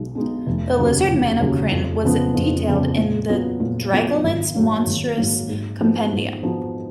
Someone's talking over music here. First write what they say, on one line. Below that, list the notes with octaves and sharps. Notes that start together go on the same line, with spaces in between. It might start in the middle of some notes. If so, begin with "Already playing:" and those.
The lizard man of Krynn was detailed in the "Dragonlance Monstrous Compendium".
Already playing: B1 B2 G#3 D#4
B2 G#3 D#4
F1
D#2 C#3 F#3
F1
D#2 C#3 F#3
F2
C#3 F3 B3
F2
C#3 F3 B3
A#2
F#3 B3 F4
A#2
F#3 B3 F4
G#1
G#2 F#3 A#3
G#1
G#2 F#3 A#3
G#2
F3 B3 D#4 F#4
G#2
F3 B3 D#4 F#4